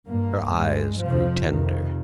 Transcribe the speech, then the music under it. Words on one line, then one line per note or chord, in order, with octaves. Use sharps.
Her eyes grew tender.
G2 A#3
G2 G#3
F2 C3 F3
F2 C3 D#3